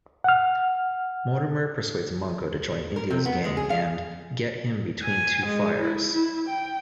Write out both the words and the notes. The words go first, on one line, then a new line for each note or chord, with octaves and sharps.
Mortimer persuades Manco to join Indio's gang and "get him between two fires".
F#5 F6
A#4
C3
B3
G#3
G#4
F5
G#5
G#3
E4
E4
G5